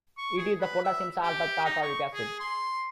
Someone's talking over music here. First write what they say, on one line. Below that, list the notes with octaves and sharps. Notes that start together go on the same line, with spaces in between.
It is the potassium salt of tartaric acid.
C#6
G#4
B4
E5
G4
D#4
C#6
G#4
C6